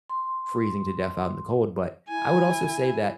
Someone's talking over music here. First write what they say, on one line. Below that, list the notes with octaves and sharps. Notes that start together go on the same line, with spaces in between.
freezing to death out in the cold. But, I would also say that
C6
E4 G#5